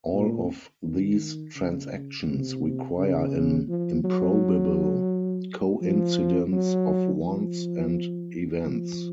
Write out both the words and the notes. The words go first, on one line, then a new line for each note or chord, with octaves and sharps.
All of these transactions require an improbable coincidence of wants and events.
A#2
D#3
C#3
C3
C#3
F3
F#3
F3
F#3
F3
F3